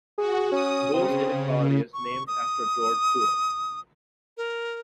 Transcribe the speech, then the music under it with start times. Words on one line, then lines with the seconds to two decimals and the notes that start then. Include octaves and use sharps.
Boole's inequality is named after George Boole.
0.18 F#4 G#4
0.52 C#4 D#6
0.93 C#3 C4
1.94 C#6
2.27 D#6
4.37 A#4